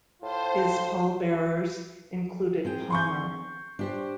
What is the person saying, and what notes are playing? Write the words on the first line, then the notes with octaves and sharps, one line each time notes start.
His pall bearers included Palmer.
A2 F4 C5 A5
C4 G#4 G5
C6 C#6 G6
D4 G4 C5